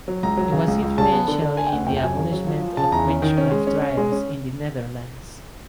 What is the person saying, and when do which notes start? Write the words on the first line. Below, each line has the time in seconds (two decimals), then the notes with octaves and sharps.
It was influential in the abolishment of witchcraft trials in the Netherlands.
0.08 F#3
0.23 C#2 A#5
0.37 F#3
0.52 C#3
0.68 C#2
0.82 C#2
0.98 C#3 A5
1.12 B3
1.28 D3
1.42 D3
1.57 D3 G#5
1.67 G5
1.72 D2 F#5
1.87 F2 G5
1.97 G5
2.02 F#3 G#5
2.17 C#3
2.33 F#3
2.47 F3
2.62 F3
2.77 C#3 A5
2.92 E2 A#5
3.07 C#4
3.22 D#3
3.38 C#4
3.51 G#3
3.67 C#4
3.82 C#4
3.97 G#3
4.12 C#4